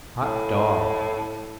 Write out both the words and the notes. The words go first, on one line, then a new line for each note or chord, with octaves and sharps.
Hot dog!
A2